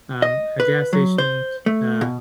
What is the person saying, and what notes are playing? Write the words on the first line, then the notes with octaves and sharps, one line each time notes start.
um, a gas station, uh,
D#5
B4
F#3
C5
A3
B2